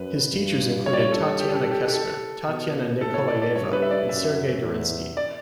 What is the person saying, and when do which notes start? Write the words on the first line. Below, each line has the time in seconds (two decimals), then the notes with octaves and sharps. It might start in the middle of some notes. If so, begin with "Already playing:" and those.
His teachers included Tatiana Kestner, Tatiana Nikolayeva and Sergei Dorensky.
Already playing: F#2 B4
0.32 G2
0.86 C#5
0.93 D5
1.00 C#5
1.12 A4
1.40 G4
1.48 A4
1.55 G4
1.64 A4
1.71 G4
1.88 G4
1.93 A4
2.48 B2
3.01 A2 A4
3.14 C#5
3.28 D5
3.42 D5
3.54 G2 C#5
3.73 B4
3.82 E5
3.91 D5
4.09 F#2 E5
4.63 E2
5.17 D5